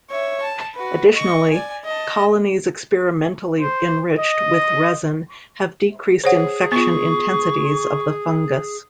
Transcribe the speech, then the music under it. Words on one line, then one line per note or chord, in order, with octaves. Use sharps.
Additionally, colonies experimentally enriched with resin have decreased infection intensities of the fungus.
C#5 E5
A5
F#4 B4
D#5 C#6
D5 G#5
D#5 A5
C5
D#5
G#4 C5 C#5 F#5
B3 F4 C#6